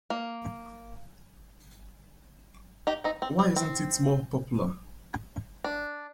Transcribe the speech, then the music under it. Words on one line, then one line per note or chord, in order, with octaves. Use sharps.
Why isn't it more popular?
A#3
D#4 G4
C4 D#4
C4
C4
C4
D4